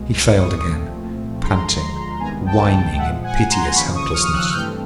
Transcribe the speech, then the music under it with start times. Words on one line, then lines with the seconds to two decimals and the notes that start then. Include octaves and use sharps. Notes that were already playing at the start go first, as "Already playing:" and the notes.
He failed again, panting, whining in piteous helplessness.
Already playing: C2 B2 G#3
0.39 C#6 D#6
0.66 C2 A#2 F3 A3 C4
1.42 D2 D3 F3 G#3 A#5 C6
2.20 C2 C3 D#3 G#3 B3 G#5 A#5
2.46 G5 A5
2.98 A#2 F3 G#3 E5 F#5
3.23 F#5 G#5
3.50 A#5 C6
3.75 D#2 C#3 F3 B5 C#6
3.95 C#6 D#6
4.14 D#6 F6
4.33 E6 F#6
4.53 G2 E3 A3 C4 F6 G6